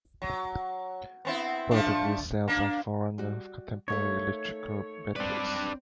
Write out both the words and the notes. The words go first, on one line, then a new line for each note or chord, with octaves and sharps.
Both of these cells are forerunners of contemporary electrical batteries.
F#3
B3 C4 E4
F3 A3 D4
A#3 D4
G3 F#4
A3 A#3 D#4 C#5
C4 D4 B4 D5